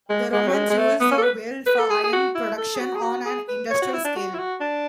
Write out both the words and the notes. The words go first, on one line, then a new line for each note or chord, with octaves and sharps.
The Romans used the Weald for iron production on an industrial scale.
G#3
G#3
F#3
G#3
G#3
A3
B3
C#4
A4
B4
B4
A4
G#4
G#4
F#4
E4
A4
G#4
F#4
G#4
F#4
G#4
B4
C#5
F#4
E4
D4
F#4
E4
F#4
D4